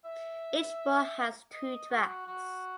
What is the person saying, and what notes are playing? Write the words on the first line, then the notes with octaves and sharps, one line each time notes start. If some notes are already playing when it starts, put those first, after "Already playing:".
Each bore has two tracks.
E5
D#5
F#4
F#4